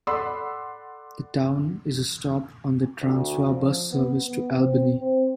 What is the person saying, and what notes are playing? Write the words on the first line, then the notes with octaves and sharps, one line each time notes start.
The town is a stop on the Transwa bus service to Albany.
A4 D5 F#5 B5 C6 E6
D2
F3
B3
B3
C4
C4